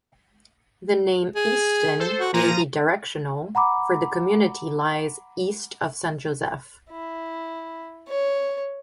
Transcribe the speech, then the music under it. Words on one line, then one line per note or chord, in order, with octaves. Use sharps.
The name Easton may be directional, for the community lies east of Saint Joseph.
G#4
A4 C5
F#4
A#2 F3 A#5 D#7
F#5 A#5 B5 D6
E4
C#5